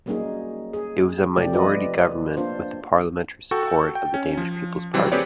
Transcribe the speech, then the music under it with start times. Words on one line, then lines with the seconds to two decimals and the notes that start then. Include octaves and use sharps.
It was a minority government with the parliamentary support of the Danish People's Party.
0.06 F#3 G3 A#3 C#4 D#4 G#4
0.73 G#4
1.36 C3 F3 A3 G4 D5
1.53 F4 B4 D5 D#5
2.37 A#3 D4 F4 C5
3.51 F#4 A4 G5 C#6
3.95 G5
4.14 C#4
4.37 F3
4.94 C3 E3 F#3 G3 C4
5.12 C4 G4 G#4 B4 C#5 D5